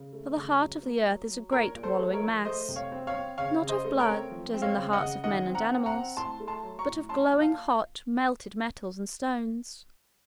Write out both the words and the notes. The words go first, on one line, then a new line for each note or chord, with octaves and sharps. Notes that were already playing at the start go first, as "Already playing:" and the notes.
For the heart of the earth is a great wallowing mass, not of blood, as in the hearts of men and animals, but of glowing hot, melted metals and stones.
Already playing: C#3
A3
C#3
F#3
A#3
F#3
F#3
A#2 A#4 C#5
A#2
A4 C5
A3
A#4 C#5
F3
A3 C5 D#5
C3
C#5 F5
C4
C#5 F5
C4
C#3 C#5 F5
C#3
C5 D#5
A3
A#4 C#5
C4
F3
C4
C#5 F5
C#3
D#5 F#5
C#3
D#3 D#5 F#5
C4
F#5 A#5
C4
F#5 A#5
C4
A2 A5 C6
A3
A5 C6
F#3
A#5 C#6
A2
C#4 A5 C6
A#2
F5 A5